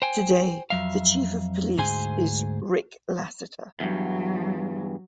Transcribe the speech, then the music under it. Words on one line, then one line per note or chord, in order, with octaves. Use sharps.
Today the chief of police is Rick Lassiter.
C5 G5 G#5
F2 F#3 E5 F5
D2 G#2 G#4 C5 G#5
E2 G2 F#3